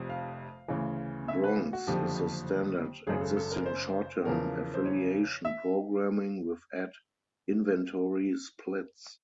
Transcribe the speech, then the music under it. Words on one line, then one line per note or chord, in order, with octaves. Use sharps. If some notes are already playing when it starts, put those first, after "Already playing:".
Bronze is the standard existing short term affiliation, programming with ad inventory splits.
Already playing: F1 F2 C3
F5
D2 C#3 E3
E5
B4
F#4
F#1 F2 D3 F3 G4
G#1 F#2 C#3 G#4
A4
A4
A#4
C5
E2 C#3 F3 A#4
C5
C#5
E5